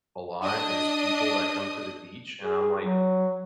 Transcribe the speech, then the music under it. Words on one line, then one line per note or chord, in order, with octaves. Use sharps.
a lot, is people that come to the beach and I'm like
D4 D#5 D#6
G#4
F#3